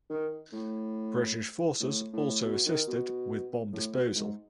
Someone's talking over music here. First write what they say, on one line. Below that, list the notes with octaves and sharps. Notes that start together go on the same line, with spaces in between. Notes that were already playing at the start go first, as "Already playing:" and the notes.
British forces also assisted with bomb disposal.
D#3
A2
A2
A2
B2
D#3
B2
A2
B2
G#2